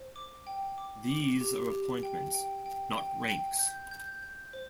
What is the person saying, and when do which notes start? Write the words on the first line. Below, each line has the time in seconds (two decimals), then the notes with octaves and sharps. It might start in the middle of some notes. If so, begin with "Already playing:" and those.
These are appointments, not ranks.
Already playing: C5
0.16 D6
0.47 G5
0.78 D6
1.09 D6
1.41 G4
1.72 G4
2.03 G5
2.34 G5
2.66 G5
2.97 G5
3.29 G5
3.59 G6
3.91 G6
4.23 G6
4.53 C5